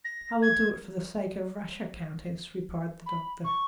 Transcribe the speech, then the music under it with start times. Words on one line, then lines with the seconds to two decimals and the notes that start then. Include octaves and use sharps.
"I will do it for the sake of Russia, countess," replied the doctor.
0.04 A#6
0.42 G#6
3.06 B5
3.44 C#6